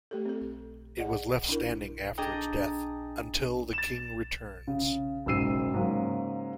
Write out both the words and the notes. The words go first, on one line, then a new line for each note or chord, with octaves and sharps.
It was left standing after its death "until the King returns".
A3 G4 A4
C4 A4
G#4 D5 D#5 F#5
D4 E4 A#4
D4 G#4 D#5 G5 A5 A#5
A6 E7
C#3
F#1 B1 G#2 E6 C7 D#7
G#2 C#3 F#3 A#3